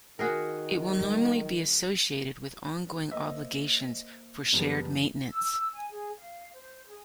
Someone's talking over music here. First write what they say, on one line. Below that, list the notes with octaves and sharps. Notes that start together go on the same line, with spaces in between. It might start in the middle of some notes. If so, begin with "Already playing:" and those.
It will normally be associated with ongoing obligations for shared maintenance.
D#3 F#4 G#4 A#4
G3
A#3 C5 D#5 E5
F#1 F#2 E3 G3 B3 D5
E6
G#5
G#4
F5
C5
G#4